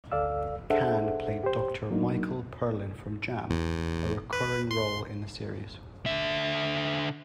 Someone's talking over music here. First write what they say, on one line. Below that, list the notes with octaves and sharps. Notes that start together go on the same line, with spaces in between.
Cann played Doctor Michael Perlin from "Jam", a recurring role in the series.
D2 A4 D5 F5 E6
D4 G#4 A4 C5 E5 F#5
G4 C5
F#3 A#3 D4 D#4
E2
B4
C6
D3 E5